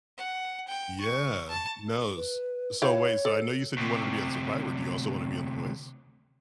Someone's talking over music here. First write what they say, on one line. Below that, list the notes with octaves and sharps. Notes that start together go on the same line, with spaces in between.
Yeah, nose, so, wait, so, I know you said you wanted to be on Survivor, do you also wanna be on The Voice?
F#5
G5
C#6
A5
B4
E4 G4 C#5 F5
A4
D2 C3